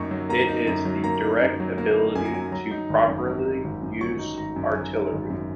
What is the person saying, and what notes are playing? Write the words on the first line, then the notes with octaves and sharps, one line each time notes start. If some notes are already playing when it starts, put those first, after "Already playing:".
It is the direct ability to properly use artillery.
Already playing: F#2 A#3 D#4 A#5 C#6
F#3
A#3 A#5
D#4
F#2 A#5
F#3
A#3 A#5
D#4
F#2
F#3
A#3 A#5
D#4
F#2 G#5
A#5
F#3 G#5
F#3 A#5
D#4
G#1
F#2
F#3
D#4
G#1
F#2
F#3 C#6
D#4
G#1 A#5
F#2
F#3 G#5
D#4
G#1
F#2